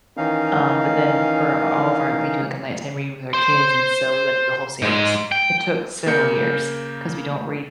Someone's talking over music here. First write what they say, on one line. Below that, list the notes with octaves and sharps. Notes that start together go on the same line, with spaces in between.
Um, but then for all of our we do, like, a nighttime reading with our kids, and so we went through the whole series. It took several years 'cause we don't read
D#3 E3 C#4 D#4 F5
C5 C6
G#2 G#3
G5
C#3 A#3 A#4 G6 C#7